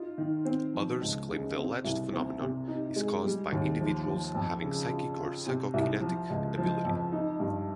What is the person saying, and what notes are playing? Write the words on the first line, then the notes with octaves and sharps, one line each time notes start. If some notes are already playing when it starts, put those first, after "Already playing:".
Others claim the alleged phenomenon is caused by individuals having psychic or psychokinetic ability.
Already playing: D#4 F4
D#3
C4
F3
C#2
C#3
C4
C2
C4
C3
D#4
G#3
G3
D#2
F3
F3
F2
C#3
F4
F4
C3
C2
F3
C#2
F3
F2
D#4
G2